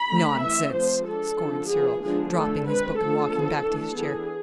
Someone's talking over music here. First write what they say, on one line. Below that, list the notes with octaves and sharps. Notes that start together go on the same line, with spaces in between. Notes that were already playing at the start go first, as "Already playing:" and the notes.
"Nonsense!" scorned Cyril, dropping his book and walking back to his chair.
Already playing: B5
D3 A3 C4
E3 A3 C4 E5
F3 A3 C4 C5
G#3 D4 A4
D3 F3 G#3 D4
F3 B3 D4 G#4
D3 F3 G#3 B3 D4 G#4
D3 A3 D4 A4
G#3 C4 B4
F3 A3 D4 A4
D3 F3 B3
E3 A3 D4
E3 B3 D4 G#4